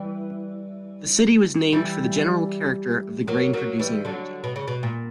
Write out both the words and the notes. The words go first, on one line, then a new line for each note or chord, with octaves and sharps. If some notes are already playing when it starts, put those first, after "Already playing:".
The city was named for the general character of the grain-producing region.
Already playing: E3 G3
E3 G3
F#3 A#3
F#3 A#3
E3 G3
D3 F#3
B2
C#3
B2
A#2